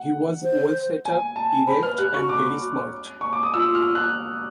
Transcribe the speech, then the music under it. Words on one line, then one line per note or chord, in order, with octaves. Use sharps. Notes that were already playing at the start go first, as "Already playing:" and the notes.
He was well set-up, erect, and very smart.
Already playing: F#5
C5
G#5
A5
C5 B5
B4 F6
G4 F#6
F#4 C#6
D6
C#6
D6
D#6
F4 E6
F6
F#6